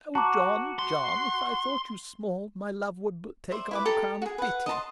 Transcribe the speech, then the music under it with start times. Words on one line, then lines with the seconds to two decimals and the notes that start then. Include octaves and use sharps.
Oh John, John, if I thought you small, my love would but take on the crown of pity.
0.15 F#4 A5 A#5 D6
0.79 C6
3.52 C5 D5 E5 C6
3.71 E4 B4 D6
3.85 G4 A4 A#5
4.22 F#4 G#4
4.38 B4 F#5
4.66 D#5 A5 A#5 C6